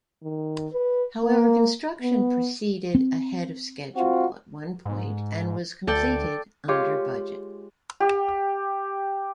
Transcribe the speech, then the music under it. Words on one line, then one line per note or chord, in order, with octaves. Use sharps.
However, construction proceeded ahead of schedule at one point and was completed under budget.
D#3
B4
A#3
B3
C4
C4 F4 F#4
G#2
D2 A4 D5 G5
G#3 F4 G4 C#5
G4